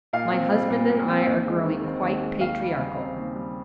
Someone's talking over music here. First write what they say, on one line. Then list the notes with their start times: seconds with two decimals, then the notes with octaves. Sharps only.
My husband and I are growing quite patriarchal.
0.13 A#2 F5
0.32 C4
0.51 G3
0.70 A#2
0.89 A#2
1.08 C4
1.27 D#2
1.46 G#3
1.65 D#3
1.83 C4
2.03 D#2
2.22 G#3
2.40 D#2 F5
2.60 G3
2.79 C#3
2.97 C4
3.16 D#2
3.36 G3